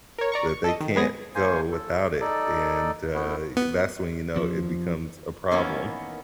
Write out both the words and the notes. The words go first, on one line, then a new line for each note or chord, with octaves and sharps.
that they can't go without it, and, uh, that's when, you know, it becomes a problem.
A#4 C#5
D5 A#5 C#6
C#6
A4 D#5
D#3
G#3 B3 G#4 A#6
A#3 C5 G#5
A4
D#4 A4 D5
A3 B3 E4
B3
F2 F3
D#3 E3 A#3 B3 C#4